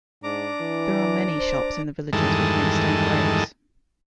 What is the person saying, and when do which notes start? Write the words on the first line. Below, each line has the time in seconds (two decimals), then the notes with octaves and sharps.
There are many shops in the villages which makes stone graves.
0.23 G#2 D4 A#5 D6
0.61 E3
1.39 C5
2.13 E2 G2 D#3 G#3 A4